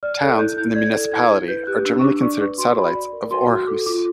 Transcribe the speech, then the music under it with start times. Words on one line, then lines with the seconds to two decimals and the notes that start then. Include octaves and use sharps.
Towns in the municipality are generally considered satellites of Aarhus.
0.03 D5 F6
0.21 A4 F#6
0.38 E4 G6
0.57 E4 G6
0.75 D5 G#6
0.94 A4
1.12 E4 G#6
1.31 E4
1.48 B4 G6
1.67 G4 F#6
1.85 D4 E6
1.99 C#6
2.03 D4 D6
2.21 D5 C#6
2.40 B4 C#6
2.58 F#4 C6
2.77 F#4 B5
2.95 D5
3.13 A#4
3.31 F#4 C6
3.49 F#4
3.67 A4 D6
3.86 F4 D6